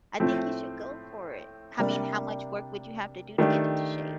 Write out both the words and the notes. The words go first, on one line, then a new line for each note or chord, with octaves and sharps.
I think you should go for it. I mean, how much work would you have to do to get into shape?
A2 F3 A3 C4
C3 G3 A#3 D4
D#3 A3 D4 G4